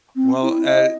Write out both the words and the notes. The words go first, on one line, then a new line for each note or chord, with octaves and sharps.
Well, a
C4
E4
D#5